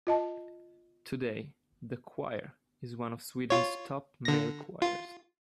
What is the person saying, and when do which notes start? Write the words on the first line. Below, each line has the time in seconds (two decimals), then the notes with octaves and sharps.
Today, the choir is one of Sweden's top male choirs.
0.07 F4 D#5 A5
3.50 F4 C#5
4.25 D3 A#6
4.82 F4